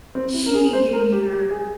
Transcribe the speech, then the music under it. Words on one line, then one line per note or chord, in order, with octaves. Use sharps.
she gave me her
C4
E4
A#4
G#4
C5
A#4
G4
G4
G#4